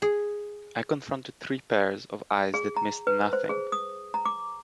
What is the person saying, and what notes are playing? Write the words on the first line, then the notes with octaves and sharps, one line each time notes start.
I confronted three pairs of eyes that missed nothing.
G#4
G#4
A#5
B4
C5
G#4
D#6
A#5
D6